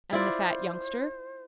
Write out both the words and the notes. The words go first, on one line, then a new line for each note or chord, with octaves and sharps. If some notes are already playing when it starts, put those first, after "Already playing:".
"And the fat youngster?"
E4 F4 C5 D5